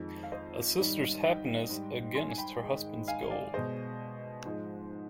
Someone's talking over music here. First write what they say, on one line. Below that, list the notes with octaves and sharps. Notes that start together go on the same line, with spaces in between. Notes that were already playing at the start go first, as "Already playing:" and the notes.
A sister’s happiness against her husband’s gold.
Already playing: F2 D#3 G#3
F5
C5 D#5
G#2 D#3 G3
D#5 G5
G#2 G3
G#5 C6
G#5
G5 B5
G#2 D#3 G#3
F5 G#5
D5 F5
B2 G#3 C5 D#5
G#2 F3 G#3